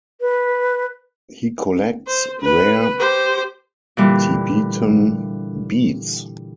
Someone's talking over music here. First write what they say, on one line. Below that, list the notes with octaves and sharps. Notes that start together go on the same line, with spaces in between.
He collects rare Tibetan beads.
B4
C5
B4
G4 C5
A#2 D3 E3 G3